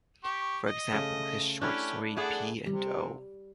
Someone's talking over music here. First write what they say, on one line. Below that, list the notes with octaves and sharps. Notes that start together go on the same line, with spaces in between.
For example, his short story, P. and O.
G4 C#6
D#5
C#3 A3
C#4 D4 E4 G4 A4
A3 B3 D4 G#4 D5 F#5
C3 G3